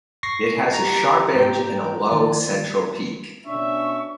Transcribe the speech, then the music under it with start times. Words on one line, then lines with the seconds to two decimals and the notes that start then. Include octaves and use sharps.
It has a sharp edge and a low central peak.
0.23 C#6 A#6 C7
0.74 G4 A#5
1.36 G#2 G5
2.09 D#3 F3 A#3 D5
3.46 B2 C#4 D4 E5 C#6